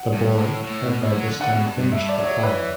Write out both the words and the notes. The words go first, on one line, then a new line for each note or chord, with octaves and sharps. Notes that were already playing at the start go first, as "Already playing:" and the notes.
The boy had by this time finished the pie.
Already playing: F#5
G2
A2
A2
B2
A2
F#3
D3
D3 F#5
B2
G2
G2
G2 E5
D5
F#3
C#5
E3 B4